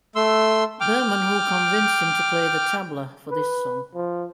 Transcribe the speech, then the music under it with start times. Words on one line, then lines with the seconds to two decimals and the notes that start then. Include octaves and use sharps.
Burman who convinced him to play the tabla for this song.
0.16 A3 C6 E6
0.81 G5 D6 F6
3.30 B4
3.95 F3